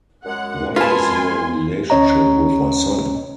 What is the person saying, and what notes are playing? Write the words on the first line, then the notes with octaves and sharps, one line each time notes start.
What is your relationship with my son?
F#2 G#3 F#5
F4 B4 G#5 A5 C6
D2 C#4 C#5 D#5 A#5